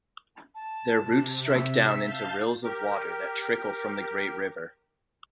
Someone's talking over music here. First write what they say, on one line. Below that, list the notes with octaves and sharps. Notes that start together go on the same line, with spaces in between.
Their roots strike down into rills of water that trickle from the great river.
A5
C3
E5
F5 A5 G6
G4 A#4